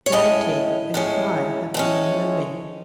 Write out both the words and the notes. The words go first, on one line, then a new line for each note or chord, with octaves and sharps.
Vanity and pride have been your ruin.
C#5
A2 G#3 C#4 D#5
A2 G#3 C#4
A2 G#3 C#4